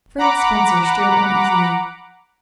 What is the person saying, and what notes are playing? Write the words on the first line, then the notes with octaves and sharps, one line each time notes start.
Frank Spencer stirred uneasily.
F#5 A#5 B5 D6 F#6